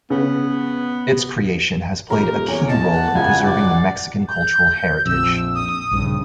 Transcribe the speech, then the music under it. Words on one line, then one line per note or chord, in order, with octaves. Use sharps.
Its creation has played a key role in preserving the Mexican cultural heritage.
C#3 B3
D#1 G4 G#4 A#4 A#5
E2 C#5
D#5 A5
F#5
C#2 F#2 C#3 G#5
D5
G6
A#1 F2 E6
D#6
A#1 G2 C#3